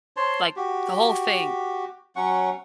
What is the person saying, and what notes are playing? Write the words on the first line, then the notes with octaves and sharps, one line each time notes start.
like, the whole thing,
C5 C#5 A5 C6
F#4 G4
F#3 C#4 F#5 C#6